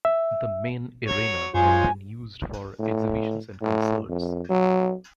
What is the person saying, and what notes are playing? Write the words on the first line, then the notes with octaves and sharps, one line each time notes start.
The main arena has been used for exhibitions and concerts.
E5
F#3 C#5
F#2 G#3 F4 C5 C#5 G#5
A2
A2
F2
F#3